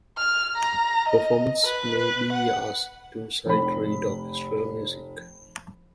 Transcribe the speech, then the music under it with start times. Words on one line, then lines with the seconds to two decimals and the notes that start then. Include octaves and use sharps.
Performers may be asked to sight read orchestral music.
0.18 F6
0.57 A#5
1.09 D#5
1.65 B4
1.98 B4
2.33 F#5
3.46 F1 B5